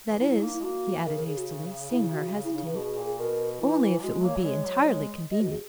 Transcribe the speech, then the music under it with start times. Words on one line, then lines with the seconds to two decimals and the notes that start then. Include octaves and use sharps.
That is," he added hastily, seeing her hesitate, "only if it would be entirely convenient!
0.09 E3
0.20 F#3 E4
0.31 E4
0.42 A#3 D#4
0.53 E4
0.59 G#3
0.63 A#3 F#4
1.05 C#3 A#4
1.16 A#4
1.27 G#4
1.38 F#4
1.91 E4
2.12 F#4
2.33 G#4
2.44 E4
2.54 D#4
2.66 B4
2.75 B2 G#4
2.97 A#2
3.06 G#4
3.18 B2 A#4
3.60 E3 E4
3.82 E3
4.02 G#3 F#4
4.24 A#3 C#5
4.36 F#3
4.46 G#3
4.66 F#3
4.83 F#3
4.88 G#3
5.31 D#5
5.41 F#4
5.51 G#4